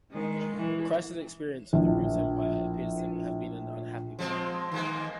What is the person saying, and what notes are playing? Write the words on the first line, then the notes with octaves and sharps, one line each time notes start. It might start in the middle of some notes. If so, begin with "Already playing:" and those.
Chrysler's experience with the Rootes empire appears to have been an unhappy one.
D#3 G#3
E3
A#1 A2
F3 G#3 C4
D#3 G#3 A#3